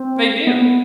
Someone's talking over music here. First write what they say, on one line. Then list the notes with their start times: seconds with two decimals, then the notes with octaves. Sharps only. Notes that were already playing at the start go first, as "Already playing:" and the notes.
They do.
Already playing: C4
0.47 B3
0.62 B3